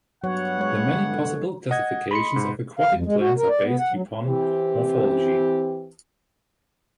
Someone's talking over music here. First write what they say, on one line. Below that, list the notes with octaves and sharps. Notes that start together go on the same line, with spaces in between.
The many possible classifications of aquatic plants are based upon morphology.
G2 F#3 B3 C#5 F#5
G#3 C#5
D3
D#5 F#5 G#6
B5 C6 C#7
G#2
F5
F2
G#3
F#4
A#4
D5
B3
F#5
F#3
E3 C4 G4